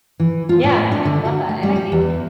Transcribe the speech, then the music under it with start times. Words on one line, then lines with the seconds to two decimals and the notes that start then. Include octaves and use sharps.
Yeah, no, I love that. And I think
0.20 E3
0.49 F4
0.63 A2
0.78 D#5
0.92 D4
1.05 D3
1.25 F#4
1.49 A3
1.63 G3
1.76 G4
1.92 E2